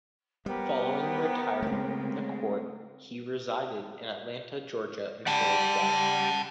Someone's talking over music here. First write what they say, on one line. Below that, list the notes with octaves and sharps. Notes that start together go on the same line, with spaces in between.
Following retirement from the Court, he resided in Atlanta, Georgia until his death.
G3 B3 G4 A#4 C5
C#3 G#3 A3 C4
G3 F#5 A5